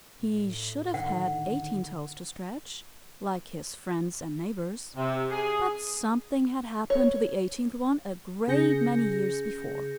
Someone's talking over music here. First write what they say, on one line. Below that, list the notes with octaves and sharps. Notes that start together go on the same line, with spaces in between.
He should have had eighteen toes to stretch, like his friends and neighbors, but something had happened to the eighteenth one a great many years before.
A2
D3 D#3 F#5
C3
G#4
C#5
C#3 G#4 G6 A#6 C#7